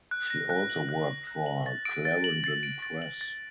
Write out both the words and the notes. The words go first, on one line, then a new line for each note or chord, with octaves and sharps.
She also worked for Clarendon Press.
F#6
A#6
F#6
F#7
F#6
A#6
F#6
F#7
A6
D7
A6
F#7
A6
D7
A6
F#7
A6